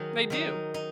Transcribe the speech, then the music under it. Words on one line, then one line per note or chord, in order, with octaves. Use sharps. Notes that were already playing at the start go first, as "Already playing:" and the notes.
They do.
Already playing: D#3 F#3 D#4 G#4
D#3 F#3 D#4
D#4